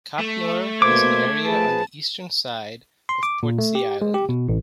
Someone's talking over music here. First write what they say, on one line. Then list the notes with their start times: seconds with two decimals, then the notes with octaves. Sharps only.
Copnor is an area on the eastern side of Portsea Island.
0.19 A3
0.82 B2 A#3 C5 D6 G#6
1.46 F3 G#4 B4 A5
3.09 C6
3.23 D6
3.43 A#2
3.59 A3
3.75 G4
4.02 G#3
4.14 G4
4.29 B2
4.49 A1